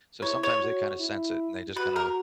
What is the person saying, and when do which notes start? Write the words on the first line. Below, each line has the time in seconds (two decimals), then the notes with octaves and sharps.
so, sometimes they, kinda sense it, and they just, kinda
0.22 E4 C#5
0.43 C#5
0.62 F#4
1.00 E4
1.76 F#4 B4
1.96 A#4